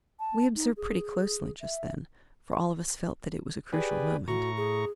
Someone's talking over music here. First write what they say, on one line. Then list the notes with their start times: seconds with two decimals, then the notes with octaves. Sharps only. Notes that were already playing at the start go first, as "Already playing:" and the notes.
We observed pretty closely just then, for all of us felt that it was a crucial moment.
0.20 A5
0.55 D#4
0.77 G#4
1.61 E5
3.73 G4 G#4 B4 D5
4.28 A2 F#4 A#5 C#6
4.57 G#4